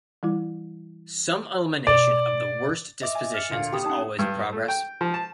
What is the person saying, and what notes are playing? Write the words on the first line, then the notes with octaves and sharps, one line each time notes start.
Some elimination of the worst dispositions is always in progress.
E3 G3 E4
B2 D5
D#5 E5 D6
G#5
F6 A6 C#7
D2 A#2 F5
G4 B5 D#6
C#4 D#4 F#5 A5
G2
A3
G5
F3
A5